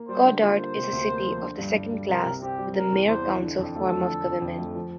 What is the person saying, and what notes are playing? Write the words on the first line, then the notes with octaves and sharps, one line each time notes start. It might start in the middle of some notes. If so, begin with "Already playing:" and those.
Goddard is a city of the second class with a mayor-council form of government.
Already playing: A#3
G3 C5
D3
F4 C5
A#3
C3
D2
A#3
F3
D3
G2
G2
G3
C3 A#4
C2
C4 G4
G3
C3 A#4
E2
E2 C5
E3
D3
F2
A3 A4
F3
D3
F2
F2
A3
F3